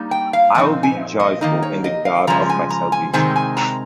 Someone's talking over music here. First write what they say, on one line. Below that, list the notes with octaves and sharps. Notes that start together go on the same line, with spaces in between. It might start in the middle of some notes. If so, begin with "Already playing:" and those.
I will be joyful in the God of my salvation!
Already playing: G3 A#3 D#4
G5
F5
A#2 F3 C4 D#4 D#5
G#5
D#5
D#3 A#3 D#4 D#5
C#5
D#5
F5
C#3 F3 G#3 A#5
G#5
A#5
G#5
C3 D#3 G#3 C4 G#5
G#5
A#5